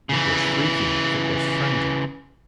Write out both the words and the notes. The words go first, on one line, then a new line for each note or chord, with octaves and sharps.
It was shrieking, it was frantic!
C#3 E3